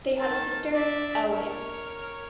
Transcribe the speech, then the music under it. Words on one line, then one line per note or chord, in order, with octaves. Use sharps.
They had a sister Elwing.
D#3 A5
D4 E5
A#4 C#5